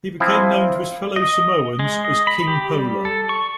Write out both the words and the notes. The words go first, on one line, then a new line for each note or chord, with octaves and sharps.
He became known to his fellow Samoans as "King Pola".
F3 C4 E4
D#5
G#3
D#5
B5
G4
G3
A4
C#6